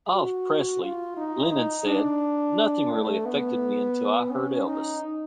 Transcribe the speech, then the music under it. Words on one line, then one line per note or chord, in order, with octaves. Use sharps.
Of Presley, Lennon said, Nothing really affected me until I heard Elvis.
F#4
F4
D#4
D#4
D4
A3
B3
C#4
D#4